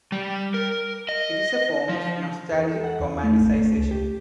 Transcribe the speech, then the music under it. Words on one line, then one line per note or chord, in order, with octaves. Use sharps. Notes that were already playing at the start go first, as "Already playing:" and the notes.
It is a form of nostalgic romanticisation.
G3
A#4
D#5
F3
E2
A4
F#5
E2
A3
G#1
A3
C#2
G4